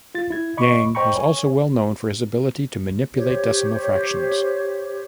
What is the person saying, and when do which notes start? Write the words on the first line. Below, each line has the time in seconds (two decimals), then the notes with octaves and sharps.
Yang was also well known for his ability to manipulate decimal fractions.
0.15 F4 A6
0.30 E4 G#6
0.57 D#5 B5 C#6 D6
0.95 C5 D#5 G5 A#5 B5 C#6
1.16 C#5 G#5
3.15 G4 C5 C#5